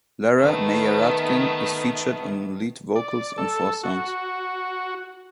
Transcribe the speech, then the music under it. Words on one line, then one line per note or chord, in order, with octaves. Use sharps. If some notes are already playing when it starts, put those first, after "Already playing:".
Lara Meyerratken is featured on lead vocals on four songs.
D#3 A3 B3
D5
A4
F#4